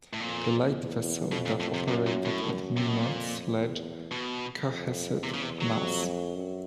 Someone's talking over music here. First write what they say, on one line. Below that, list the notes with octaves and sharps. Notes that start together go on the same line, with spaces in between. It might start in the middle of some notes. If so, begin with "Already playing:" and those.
The lightvessel that operated at Minots Ledge, Cohasset, Mass.
A2
F2 A#2
E2
F2 B2
A#2
A2
C3
F#2 A#2
A#2
A2
F#2
C3
B2
F2 A#2
E2
B2
F2
E2 C3
C#3
C3
F#3
F2
F#2